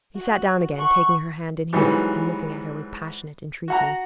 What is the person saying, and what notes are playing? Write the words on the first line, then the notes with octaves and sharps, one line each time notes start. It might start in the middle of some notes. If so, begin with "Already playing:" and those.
He sat down again, taking her hand in his, and looking at her with passionate entreaty.
F#4
F#5 C#6
G#2 E3 F#3 G3 B3
F#4 F#5 A#5